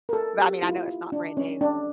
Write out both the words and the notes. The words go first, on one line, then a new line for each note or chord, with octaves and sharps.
but I mean, I know it's not brand-new.
A#4
A4
G4
E4
F4
E4
E4
D4
C#4
D4